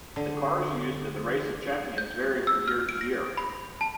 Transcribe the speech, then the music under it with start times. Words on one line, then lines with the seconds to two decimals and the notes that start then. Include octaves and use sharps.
The cars used in The Race Of Champions vary from year to year.
0.16 D3
1.98 G6
2.47 E6
2.68 F6
2.89 D7
3.01 A#6
3.37 B5
3.81 A5